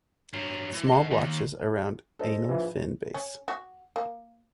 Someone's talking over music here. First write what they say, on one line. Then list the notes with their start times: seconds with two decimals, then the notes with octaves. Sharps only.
Small blotches around anal fin base.
0.34 G2 F#3
0.74 E3
0.88 D#5 F#5
1.11 D#2
2.19 G#4 A4 C5 D#5
2.49 A#1 E3
3.14 C#4
3.48 F#4
3.96 A#3